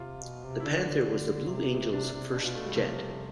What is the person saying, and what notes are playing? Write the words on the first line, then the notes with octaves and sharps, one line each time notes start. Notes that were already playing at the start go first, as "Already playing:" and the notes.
The Panther was the Blue Angels' first jet.
Already playing: C3 F4
B2
C3
E4
D3 D4
C3
C3 D4
C3
B2 D4
F4
A3
G3
C3 F3